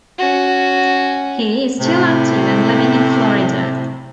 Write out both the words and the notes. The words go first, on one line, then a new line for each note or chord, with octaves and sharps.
He is still active and living in Florida.
C#4 F#4
A2 C3